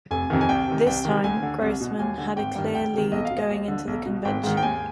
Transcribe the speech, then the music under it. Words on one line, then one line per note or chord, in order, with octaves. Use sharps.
This time, Grossman had a clear lead going into the convention.
F1 G#5
F2 C3 D#3
G#5
C2 G5
C3 D#3
C2 G5
C3 D#3
D2 G#5
D3
C2
B2
D#2 G#5
D3
G#1 G5
G2 D#3
D2 G5
C3 D#3
B1 D#5
F5
B2
D#5
D#2
D3
B1
B2
G#1 G5
G#2 D#3
G5
D#2 G#5